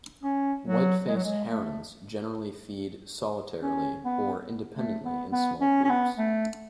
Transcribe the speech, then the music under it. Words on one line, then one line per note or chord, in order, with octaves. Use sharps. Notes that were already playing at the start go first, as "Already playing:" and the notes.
White-faced herons generally feed solitarily or independently in small groups.
C#4
F#3
G#3
F#3
G#3
A3
C#4
B3
A3
B3
B3
C#4
C#4
B3
A3